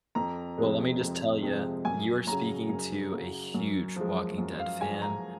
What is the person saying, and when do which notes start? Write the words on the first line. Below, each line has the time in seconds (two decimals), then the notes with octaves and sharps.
Well, let me just tell you, you are speaking to a huge Walking Dead fan.
0.15 F2 A#5
0.58 C3 F3 G#3
1.01 F2
1.43 C3 F3 G#3
1.85 F#2 G#5
2.27 C#3 F#3 A#5
2.69 F#2
3.12 C#3 F#3
3.54 F#2
3.96 F3 G#3
4.38 F#2
4.59 F5
4.81 F3 G#3 G#5
5.02 A#5